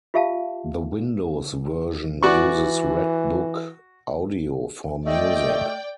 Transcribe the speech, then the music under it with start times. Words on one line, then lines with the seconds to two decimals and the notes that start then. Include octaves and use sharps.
The Windows version uses Red Book audio for music.
0.14 F4 G4 E5 F5 A5
2.23 E3 F#4 D5 C#6
5.06 A3 D5 D#5 G5